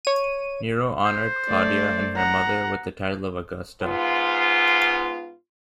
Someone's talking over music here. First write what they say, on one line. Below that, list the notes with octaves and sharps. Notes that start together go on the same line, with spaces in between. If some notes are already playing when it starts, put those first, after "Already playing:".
Nero honored Claudia and her mother with the title of Augusta.
C#5 D#7
C5
A3 D5
F#5 A#5
G#2 B3 F4